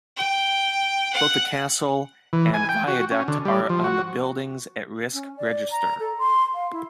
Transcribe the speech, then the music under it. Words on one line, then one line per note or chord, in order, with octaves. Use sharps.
Both the castle and viaduct are on the Buildings at Risk Register.
G5
F#5
E3
G#5
G5
F#4
C#4
D3
G3
F3
F#4
C#4
D5
A#5
A4
C6
F5
E4